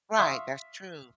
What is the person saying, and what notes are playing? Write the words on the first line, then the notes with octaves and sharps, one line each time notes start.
Right, that's true.
E5 F5 C6 C#6 D#6